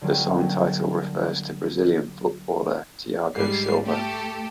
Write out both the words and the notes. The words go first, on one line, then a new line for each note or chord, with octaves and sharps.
The song title refers to Brazilian footballer Thiago Silva.
D3 F#3 G3 A#3
G#2 G3 C7
A3 G4 A4